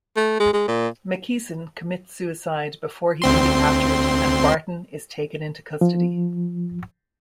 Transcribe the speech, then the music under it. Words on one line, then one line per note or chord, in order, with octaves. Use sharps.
McKeeson commits suicide before he can be captured and Barton is taken into custody.
A3
G#3
G#3
A#2
D2 C4 C6
F3